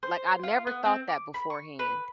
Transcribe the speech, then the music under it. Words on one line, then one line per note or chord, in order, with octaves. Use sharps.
Like, I never thought that beforehand.
C5
F4
B3
C4
D6
B5
C#6
B4